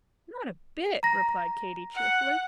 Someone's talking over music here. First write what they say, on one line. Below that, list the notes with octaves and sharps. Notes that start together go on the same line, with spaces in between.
"Not a bit!" replied Katy, cheerfully.
A#5 A#6
F#5